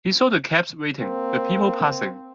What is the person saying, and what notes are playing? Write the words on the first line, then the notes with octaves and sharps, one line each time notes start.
He saw the cabs waiting, the people passing.
A#3 C4